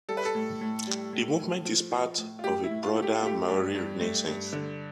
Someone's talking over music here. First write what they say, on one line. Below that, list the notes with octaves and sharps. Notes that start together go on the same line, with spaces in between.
The movement is part of a broader Māori Renaissance.
G3 A4
B4
A4
A2
A2
G3
A2
A2
F3
F3
A2
F4
A2 G4
E4
A2
F4
A3
G4
F4
A3 G4
G2
G2
A3
G2
D3